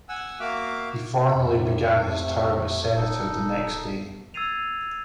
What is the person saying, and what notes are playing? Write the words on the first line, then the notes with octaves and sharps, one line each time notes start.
He formally began his term as Senator the next day.
F#5 G#5 E6
A#3 F#4 E5 F5 D6
F2 A2 C3
C3 A3
D#1 D#4 A4
E6 G#6 A6 C7 D#7 F7